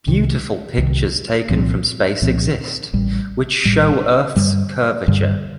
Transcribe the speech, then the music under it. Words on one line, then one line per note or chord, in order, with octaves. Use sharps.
Beautiful pictures taken from space exist, which show Earth’s curvature.
C2 C3 D#3
C2 C3 D#3
C2 A#2 F3 C4
C2 A#2 F3 C4
A1 A2 G3
A1 A2 G3
G2 D3 G3
G2 D3 G3